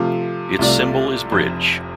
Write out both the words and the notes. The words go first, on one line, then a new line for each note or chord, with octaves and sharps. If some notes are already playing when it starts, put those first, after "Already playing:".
Its symbol is bridge.
Already playing: C3 F3 A3 F4
C2 C3 A3 F4 D5
F1 F2 C3